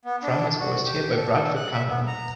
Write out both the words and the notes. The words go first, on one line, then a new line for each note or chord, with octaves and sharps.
Krang is voiced here by Bradford Cameron.
B3
D4
F#4
G4
A4
F#6
E5
B3
A#5